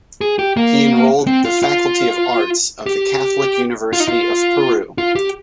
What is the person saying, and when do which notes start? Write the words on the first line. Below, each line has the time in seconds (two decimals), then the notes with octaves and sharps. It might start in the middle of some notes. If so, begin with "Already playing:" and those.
He enrolled the Faculty of Arts of the Catholic University of Peru.
0.21 G#4
0.39 G4
0.57 A#3
1.27 C4
1.45 F4
1.63 F4
2.86 G4
3.93 F4
4.00 D#4
4.08 F4
4.98 F4
5.15 G4